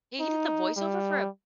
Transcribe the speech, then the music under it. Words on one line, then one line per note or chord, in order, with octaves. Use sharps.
He he did the voiceover for a
D#4
G3